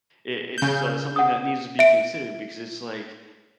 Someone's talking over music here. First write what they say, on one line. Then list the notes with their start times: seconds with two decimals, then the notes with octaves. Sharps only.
I it's, uh, something that needs to be considered because it's like,
0.58 C#3 G6
1.16 F#5 D#6
1.79 E5 D7